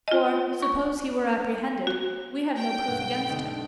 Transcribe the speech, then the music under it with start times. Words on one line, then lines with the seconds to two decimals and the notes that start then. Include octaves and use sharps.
For, suppose he were apprehended, we have no proof against him.
0.08 F4 D#5
0.62 C#6
1.87 F#4
2.58 G5
2.88 B1 G2 F#5
3.29 D3 A3 D#4